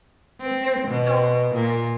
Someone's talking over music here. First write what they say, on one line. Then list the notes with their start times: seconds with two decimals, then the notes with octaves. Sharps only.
'cause there's so
0.41 C4
0.88 B2
1.55 A#2